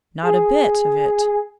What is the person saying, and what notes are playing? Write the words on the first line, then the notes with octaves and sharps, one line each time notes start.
'Not a bit of it.
G#4